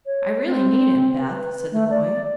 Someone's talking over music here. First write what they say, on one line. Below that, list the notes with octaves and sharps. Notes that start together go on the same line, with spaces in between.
"I really need him, Beth," said the boy.
C#5
C4
B4
A3
D5